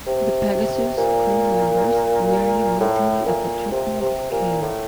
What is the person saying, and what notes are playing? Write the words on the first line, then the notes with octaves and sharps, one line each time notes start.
The "Pegasus" crew members nearly mutiny at the treatment of Cain.
C3
A#2
A2
A#2
C3
C3
A#2
A2